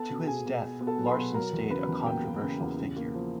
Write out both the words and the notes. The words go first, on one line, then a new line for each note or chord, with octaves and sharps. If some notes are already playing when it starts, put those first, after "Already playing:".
To his death Larsen stayed a controversial figure.
Already playing: B3 A4 A5
B2
B2 G#4 G#5
B2
B2
B3
A4 A5
F#3
C6
B4 B5
B2
F#3 A#4 A#5
E2
C#3 B4 B5
E2
A#3 G5
A#3
C#3
E2
C#3
A#3
F3